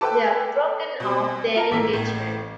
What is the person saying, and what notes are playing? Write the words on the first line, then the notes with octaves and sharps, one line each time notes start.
They've broken off their engagement.
A4 B4 G5 A5 D6 F#6
B2 G3 C4
F4 A5 A#5 F7
A1 A4 A#4 D6 B6
A2